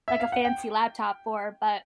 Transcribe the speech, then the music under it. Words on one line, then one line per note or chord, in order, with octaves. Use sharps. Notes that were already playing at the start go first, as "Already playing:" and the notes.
like, a fancy laptop for, but.
E5
F5
F#5
G5